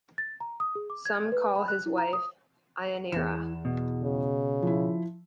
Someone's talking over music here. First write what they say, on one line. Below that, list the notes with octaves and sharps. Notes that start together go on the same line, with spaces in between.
Some call his wife Ianeira.
A6
A#5
D#6
G#4
D6
G#6
B4
B5
F#6
E4
A#5
D#6
E2 E3 E7
B2
C#3
F3 E4